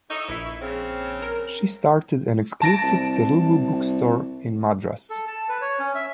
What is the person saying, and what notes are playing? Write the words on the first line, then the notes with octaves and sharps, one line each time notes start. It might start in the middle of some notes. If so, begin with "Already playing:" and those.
She started an exclusive Telugu bookstore in Madras.
A2 D#4 C#6 E6
A#1 E4
C#3 C4
A#4
A5 A#6 D7
C2
A4
A5
B4
C#5
C#4
E5